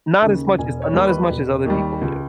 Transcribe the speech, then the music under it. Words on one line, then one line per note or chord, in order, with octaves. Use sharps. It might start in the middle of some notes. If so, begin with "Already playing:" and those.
Not as much as uh, not as much as other people do,
D#2 C#3
E1 G#5
C#5
D#2 D#3 G3
B4
E1
D#2 D#3 G3
C#2